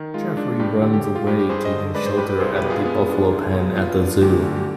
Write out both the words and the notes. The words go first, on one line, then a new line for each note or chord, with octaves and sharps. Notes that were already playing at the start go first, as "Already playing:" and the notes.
Jeffrey runs away, taking shelter at the buffalo pen at the zoo.
Already playing: D#3
G#3 F4
D4
G2 G4
D3 G4
G4
G#3 G4
F4
G2 G4
G4
G2 G#4 C5
C5 D#5
D3
G#3 B4 D5
G#4 C5
G2 G4 B4
G4 B4
C2 G#4 C5
G4 B4
B2
F4 G#4
B3
D4
C2
B2
B3 F4
D4
D2 G4
D3 G4
G4